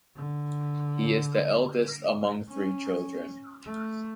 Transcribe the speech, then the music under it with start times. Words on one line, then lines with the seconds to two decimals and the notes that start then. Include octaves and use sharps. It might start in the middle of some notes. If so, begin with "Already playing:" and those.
He is the eldest among three children.
0.16 D3
2.49 C#4
3.66 A3